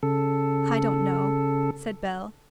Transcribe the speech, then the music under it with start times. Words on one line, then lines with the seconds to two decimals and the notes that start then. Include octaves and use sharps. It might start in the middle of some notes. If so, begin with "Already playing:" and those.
"I don't know," said Bell.
0.03 C#3 A4